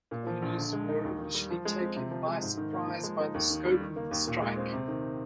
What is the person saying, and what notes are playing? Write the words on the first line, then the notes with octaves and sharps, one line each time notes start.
The mill owners were initially taken by surprise by the scope of the strike.
A#2
F3
A#1
D3
G#3
D#4
D#2
D#3
G3
F3
G#3
C4
C3
F3
G#3
G#2
D#3
A#3
F3
G#3
D#4
D#2
D#3
G3
D#3
A#3
D#2
A#2
G#3
C4
C3
D#3